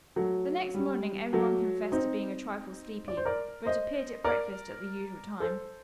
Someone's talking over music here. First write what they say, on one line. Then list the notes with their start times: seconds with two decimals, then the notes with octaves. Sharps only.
The next morning every one confessed to being a trifle sleepy, but appeared at breakfast at the usual time.
0.16 F#3 A3
0.74 G3
1.33 F#3 A3
1.92 C4 D#4
3.08 D5
3.17 C5
3.25 A#4 D5
3.65 C5 D#5
4.24 A#4 D5
5.40 A4 C5